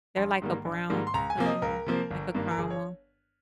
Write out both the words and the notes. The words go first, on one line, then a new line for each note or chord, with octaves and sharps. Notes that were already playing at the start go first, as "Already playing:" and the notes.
They're like a brown color, like a caramel.
A#1 C6
G#2 D#3 G3 A#3
A#1
G#2 D#3 G3 A#3
C6
C#2 A#5
G#5
C3 F3 A#3
D#5
C#2 A#4
C3 F3 A#3
G1
G2 D#3 A#3
A#4
G1 G#4
C#5